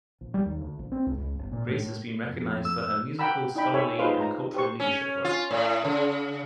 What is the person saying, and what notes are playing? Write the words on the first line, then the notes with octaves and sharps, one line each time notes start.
Grace has been recognized for her musical, scholarly, and cultural leadership work.
A#1
G3
D#2
D2
A#1
C4
C#2
C#2
G1
A#2
A2
A2
F2
E6
F#5 G5 A#5 B5 E6
D#4 E4 D5 G5 B5
A4 C#5 E5 G#5
D#4 F4 G#4 B4 C5 F5
A#5
G4 C5 C#6
C#4
F4
A2
C#3